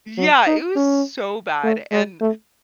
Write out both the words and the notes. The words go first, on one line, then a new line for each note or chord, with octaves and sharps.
Yeah, it was so bad, and,
F#3
D#4
C#4
A3
G#3
A3